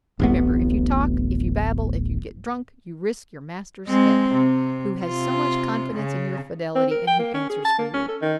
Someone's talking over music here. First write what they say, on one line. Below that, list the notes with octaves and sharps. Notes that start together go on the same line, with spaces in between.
Remember, if you talk, if you babble, if you get drunk, you risk your master's head, who has so much confidence in your fidelity, and who answers for you.
D1 A1 B3
G#3 C4
C3
C3 F4
C#3
C4
A#4
G5
A#3
C#4
G#4
A5
A#3
C#4
A4
D#3